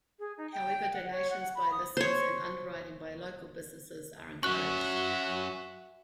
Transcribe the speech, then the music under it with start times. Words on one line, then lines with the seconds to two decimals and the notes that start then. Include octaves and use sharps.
However donations by listeners and underwriting by local businesses are encouraged.
0.19 G#4
0.37 D#4
0.52 G5
0.93 F#5
1.11 C#5
1.30 F#5
1.55 B5
1.71 D#6
1.97 C5 C#5
4.43 F#3 C#4 F#4 E5 F#5 C#6 F#6